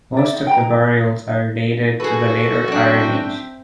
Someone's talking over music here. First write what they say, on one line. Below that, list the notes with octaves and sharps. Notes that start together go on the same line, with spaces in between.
Most of the burials are dated to the later Iron Age.
D5 E5
D#4
G5 A#5
F#4 G#4 A4 B4
F#2 C4 D4 E5 G5